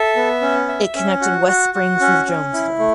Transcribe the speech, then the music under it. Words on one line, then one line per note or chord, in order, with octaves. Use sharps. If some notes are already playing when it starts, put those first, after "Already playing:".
It connected West Springs with Jonesville.
Already playing: A4 E5
B3
C#4
E5
C#4
F#4
F#4
F#4
C#4
C#4
E4
A3